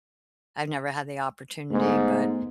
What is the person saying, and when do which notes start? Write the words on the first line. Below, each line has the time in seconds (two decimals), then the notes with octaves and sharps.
I've never had the opportunity, but
1.71 G#2 A3 B3